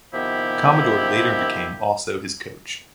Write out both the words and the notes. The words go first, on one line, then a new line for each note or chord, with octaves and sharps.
Commodore later became also his coach.
C3 D#3 F3 B3 E4 G4